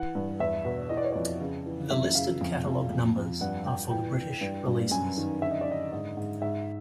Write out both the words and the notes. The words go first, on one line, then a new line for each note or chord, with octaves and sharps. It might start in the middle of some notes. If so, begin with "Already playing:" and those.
The listed catalog numbers are for the British releases.
Already playing: E3 F#5
G2
E2 E5
B2
E3 D#5
D5
C#5
F2 D5
C#3
E3
F#2 E5
C#3 F5
F2
F2
F2
F2
G2 F#5
G2 G5
E3 G5
E3
G2
G2
F#2 G#5
D#3
D3 E5
D#5
D5
D3 D#5
G#2 D#5
G#2
G#2 E5